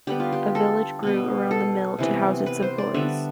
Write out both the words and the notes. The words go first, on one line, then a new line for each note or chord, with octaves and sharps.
A village grew around the mill to house its employees.
D3 G3 B3 G4
F4
G4
A4
B2 B3
A4
C3 E3 B3
B4
C5
D5
D3 G3 B3 E5